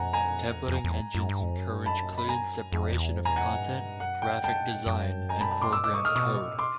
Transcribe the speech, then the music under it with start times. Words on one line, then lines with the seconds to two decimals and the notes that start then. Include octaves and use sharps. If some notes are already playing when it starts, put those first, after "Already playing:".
Templating engines encourage clean separation of content, graphic design, and program code.
Already playing: F2 F#5 G#5 A#5
0.13 G#5 A#5
0.56 E2
0.68 F2
0.84 F2
0.89 E2
1.15 F#2
1.29 G2
1.43 F2
1.57 F#2
1.71 G2
1.86 F#2 A5 B5
2.18 B5
2.29 G#5 A#5
2.72 F2
2.93 E2
3.14 F2
3.25 G#5 A#5
3.29 E2
3.36 F#5 G#5
3.44 F2
3.58 G2
4.00 F#2 F#5
4.22 G5
4.44 G5 A5
4.86 F#2
5.29 G#5 A#5
5.41 A5 B5
5.51 A5 B5
5.61 C6 D6
5.72 G2 D6 E6
5.84 D6 E6
5.94 G#2 C#6 D#6
6.05 D#6 F6
6.16 B2 C#6 D#6
6.59 C6 D6